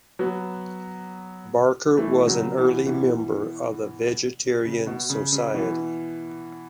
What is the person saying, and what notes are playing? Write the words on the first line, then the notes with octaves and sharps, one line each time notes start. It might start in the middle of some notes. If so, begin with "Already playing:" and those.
Barker was an early member of the Vegetarian Society.
F#3 B3
E3 A3
C#3 F#3
B2 E3
B2 E3
C#3
B2
C#3
C#3
B2 E3